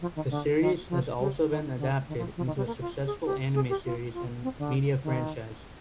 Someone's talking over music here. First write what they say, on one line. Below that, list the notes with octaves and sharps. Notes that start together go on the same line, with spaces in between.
The series has also been adapted into a successful anime series and media franchise.
F3
D#3
D3
D#3
F3
G3
D#3
D3
D#3
F3
F3
D#3
G3
A#3
F4
G#4
G4
G#4
G4
F4
F4
C4
D3
D#3